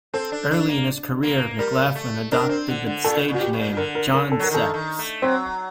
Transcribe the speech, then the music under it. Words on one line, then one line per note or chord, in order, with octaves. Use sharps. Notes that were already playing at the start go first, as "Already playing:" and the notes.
Early in his career, McLaughlin adopted the stage name "John Sex".
C4 A4
D4
D4
A#3
A#3
G3 A#4
A3
D4 A#4
C4
D3
D3
A#2 A4
A#2
F#4
G4
A#2
D3 A#4
A#4
A#4
A4
F#3 A#4
D#3 A4
D#3
A3
F#3 C4